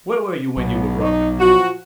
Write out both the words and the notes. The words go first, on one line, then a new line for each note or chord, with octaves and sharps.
"Where were you when you were robbed of it?"
B1 B3
D#4
F3 F#4